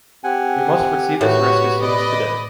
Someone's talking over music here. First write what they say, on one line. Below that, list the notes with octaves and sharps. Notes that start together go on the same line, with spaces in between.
We must foresee this risk as soon as today.
C4 G4 F#5 G#5
A2 F#4 B4 C#5
D5 D#5 B5